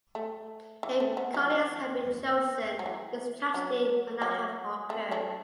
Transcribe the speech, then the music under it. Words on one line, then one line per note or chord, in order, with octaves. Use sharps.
If Colliers had been chosen, this tragedy might not have occurred.
A3
E3
A3
B3
F#3
E3
F#3
E3
F#3
F#3
A3
A3 D4